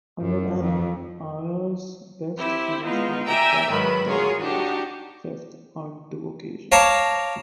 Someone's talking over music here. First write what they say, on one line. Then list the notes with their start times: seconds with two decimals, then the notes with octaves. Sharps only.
Under Allen, Iowa's best finish in the Big Ten was fifth, on two occasions.
0.23 F#2
0.62 F2
2.38 C4 E4 G4
2.84 G#3 B3 D#4 F4
3.27 D5 E5 G5 G#5 A#5 E6
3.70 G#2 D#3 F#3 B4 B5
4.08 F4 F#4 G#4 A#4 C#5
4.41 D4 D#4 F#4 G4
6.72 C#5 F5 A5 A#5 D6